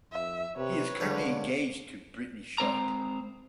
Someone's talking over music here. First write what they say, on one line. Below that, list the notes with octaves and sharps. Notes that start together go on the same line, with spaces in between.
He is currently engaged to Brittany Sharp.
F2 E5
C3 B4 C#5
C#2 D3 A4
G#3 C4 C5 A#5